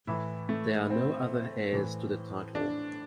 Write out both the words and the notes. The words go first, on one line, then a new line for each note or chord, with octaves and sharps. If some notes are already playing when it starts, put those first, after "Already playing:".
There are no other heirs to the title.
A2 E3 E4
A3
C4
A2 E3
D4